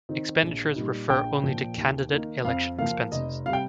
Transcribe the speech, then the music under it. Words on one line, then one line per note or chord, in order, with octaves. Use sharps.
Expenditures refer only to candidate election expenses.
D#3 C4 D#4
A#1
A#2 G3 D#4
A#1 G5
A#2 F3
D#2
D#3 A#3 D#4
F2 F5
F3 A#3 F5
F1 D#5
C3 G3 F5
G5